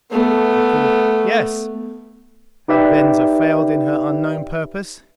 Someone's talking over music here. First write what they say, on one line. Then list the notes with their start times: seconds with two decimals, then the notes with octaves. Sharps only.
I called, "Yes!" Had Venza failed in her unknown purpose?
0.11 A3 B3
2.68 D#4 G4 B4 D5 E5 G5